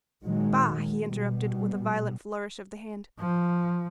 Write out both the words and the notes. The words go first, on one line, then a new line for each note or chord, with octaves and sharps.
"Bah!" he interrupted, with a violent flourish of the hand.
A#2 D#3 F#3 G#3
B2 G3
F3